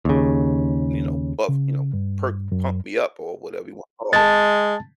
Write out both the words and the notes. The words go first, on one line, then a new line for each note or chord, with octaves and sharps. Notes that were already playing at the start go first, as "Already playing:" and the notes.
you know, buff you know, perk, pump me up, or whatever you wanna call it,
D#2 C#3
C#3
G2
F#2
G#3 A5 A6